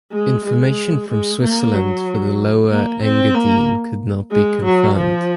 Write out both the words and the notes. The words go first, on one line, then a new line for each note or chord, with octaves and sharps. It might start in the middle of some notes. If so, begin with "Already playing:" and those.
Information from Switzerland for the Lower Engadine could not be confirmed.
G#3
G#3
G#3
A#3
F#3
A#3
C4
A#3
G#3
F#3
F3